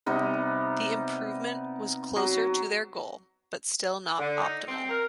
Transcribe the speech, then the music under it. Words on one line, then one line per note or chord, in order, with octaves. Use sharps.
The improvement was closer to their goal, but still not optimal.
C3 G3 B3 D#4
F#3
D3
D#4
C4
A#4